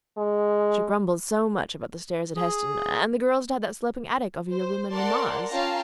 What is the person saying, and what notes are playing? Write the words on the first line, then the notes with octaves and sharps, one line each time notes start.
She grumbles so much about the stairs at Heston; and the girl is to have that sloping attic over your room and mamma's.
G#3
G#4
C5
A#4 D5 F#5 A5 C6
C#4 F4 F5 G5 A5 A#5